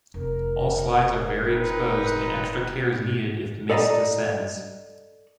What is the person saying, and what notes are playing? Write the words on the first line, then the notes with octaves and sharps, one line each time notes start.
All sides are very exposed, and extra care is needed if mist descends.
F1 A#4
C4 D#4 B4
A4 D5 D#5 F5 A#5